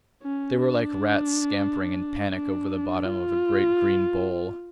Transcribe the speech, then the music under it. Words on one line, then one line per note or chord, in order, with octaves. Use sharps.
They were like rats scampering in panic over the bottom of a great green bowl.
C#4
D4
D4
F4